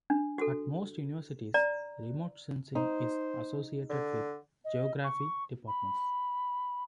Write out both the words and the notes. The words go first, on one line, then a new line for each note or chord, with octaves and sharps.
At most universities remote sensing is associated with Geography departments.
D4
F#4 A4
D5 A#5
D#4 C5
D3
D#5
C#6
B5